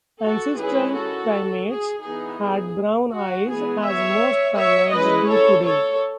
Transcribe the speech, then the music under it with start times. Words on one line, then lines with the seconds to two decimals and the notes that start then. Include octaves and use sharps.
Ancestral primates had brown eyes, as most primates do today.
0.22 F#4 A4
0.58 D#3 G#3 C#4 E4 G#4 B4
0.94 F#4 A4
1.67 G#4
2.03 E3 B3 D#4 G#4
2.39 G#4
3.11 F#4
3.48 E3 G#3 B3 G#4
3.83 C#5 E5
4.56 C#5 E5
4.92 G#3 C#4 E4 B4 D#5
5.28 A4 C#5
5.64 A4 C#5